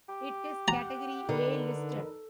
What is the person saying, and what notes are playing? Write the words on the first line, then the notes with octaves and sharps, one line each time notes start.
It is category A listed.
G4
F#5 G5 A#5
D3 D#4 A#4 B4